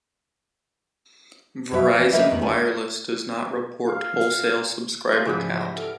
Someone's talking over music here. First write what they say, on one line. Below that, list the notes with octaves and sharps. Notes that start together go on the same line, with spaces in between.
Verizon Wireless does not report wholesale subscriber count.
B2 F#3 C#5 E5
E3
A#3 B3 A#4 B4 D#5 E5
E2 A2 D#3
D3 G3 A3 G#5
F5
F4 G#4
G#2 C#3 E3 F3 G3 B3
A#6
A4 F6 D7